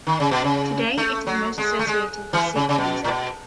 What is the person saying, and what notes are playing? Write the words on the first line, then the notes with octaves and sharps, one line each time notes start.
Today it is most associated with Sikh music.
D#3
C#3
B2
C#3
A3
F#3
G#3
A3
G#3
E3
C#3
C#3
B2
A2
B2